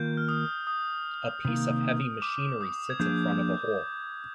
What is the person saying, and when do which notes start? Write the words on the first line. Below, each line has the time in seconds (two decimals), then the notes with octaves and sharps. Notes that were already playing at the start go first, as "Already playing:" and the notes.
A piece of heavy machinery sits in front of a hole.
Already playing: D#3 A#3 F4 A#4 G6
0.17 F6
0.28 D#6
0.67 D#6
1.45 C3 D#3 A#3
2.22 D6
2.61 D#6
2.90 G#6
3.00 F3 A#3 D4 G#4 G6